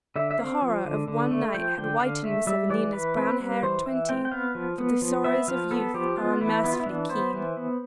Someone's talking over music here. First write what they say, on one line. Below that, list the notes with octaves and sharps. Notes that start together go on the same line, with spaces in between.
The horror of one night had whitened Miss Evelina's brown hair at twenty, for the sorrows of Youth are unmercifully keen.
D3 E5
E5
C4 F5
F3
D3
D3
A3
F3 G5
D3 G5
D3 F5
A3 E5
G3 E5
E3 D5
E3 B4
C4 B4
G3 B4
E3 C5
E3 E5
C4 G5
G5
B3 F5
F3
B3
F3
B3 E5
F3 F5
B3 A4
F3 G4
B3 F4
E3 E4
B3 E4
F4
E4
E3 D4
B3 C5
E3
B3